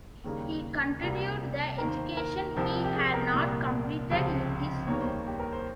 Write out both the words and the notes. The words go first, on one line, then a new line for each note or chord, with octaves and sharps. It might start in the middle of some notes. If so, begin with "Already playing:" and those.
He continued the education he had not completed in his youth.
D#2 C#3 G3 A#3
C2 C3 G3 A#3
D#2 D#3 A#3 A#4
C5
A#4
C2 C3 F3
G4
G#4
A#4
C2 A#2 G3
C#2 C3 F3 G#3 C5
D#2 D#3 G3 A#3 C#5
C5
C5
G4
A#4
C5